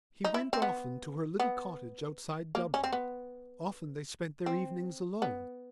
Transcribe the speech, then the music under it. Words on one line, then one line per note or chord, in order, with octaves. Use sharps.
He went often to her little cottage outside Dublin; often they spent their evenings alone.
D#4
E4
C4
B3
B3
A#3
C#4
C4
B3
C4
B3